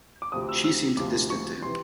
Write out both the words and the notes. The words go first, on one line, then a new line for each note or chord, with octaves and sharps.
She seemed distant to him.
D6
D2 C3 F3 D#6
E6
E6
D2 C3 F3 D6
C#6
C3 E3 C6